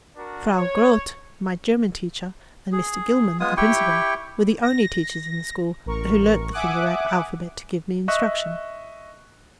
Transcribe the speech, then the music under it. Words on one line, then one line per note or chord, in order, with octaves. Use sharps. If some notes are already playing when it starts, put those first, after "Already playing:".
Frau Grote, my German teacher, and Mr. Gilman, the principal, were the only teachers in the school who learned the finger alphabet to give me instruction.
D4 F#4 A#4
C#5
G#4
G#3 B3 F4 D#6
E4 G4 G5 C#6
A#6
A1 A#4 C#6
E5 F#5 G#5 D6 D#6 F#6
D#5 E5 C#6 F#6